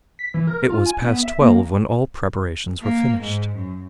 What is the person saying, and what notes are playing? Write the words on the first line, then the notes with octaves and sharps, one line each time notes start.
It was past twelve when all preparations were finished.
B6
E3
A#4
F4
G#5
B3
E5
A#3
A#3
G#2
F#2